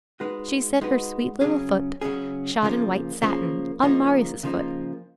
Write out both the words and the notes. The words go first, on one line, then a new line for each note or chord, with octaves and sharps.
She set her sweet little foot, shod in white satin, on Marius' foot.
G#3 D#4 F#4 B4
G#3 D#4 F#4 B4
C#3 F#3 C#4 G#4
C#3 F#3 C#4 G#4
C#3 F3 A#3
C#3 F3 A#3
C#3 F3 A#3 D#4
C#3 F3 A#3 D#4